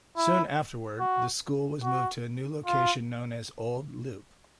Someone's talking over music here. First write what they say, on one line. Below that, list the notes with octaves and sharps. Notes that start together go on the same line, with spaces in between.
Soon afterward, the school was moved to a new location known as Old Leupp.
E4
F#4
F#4
F4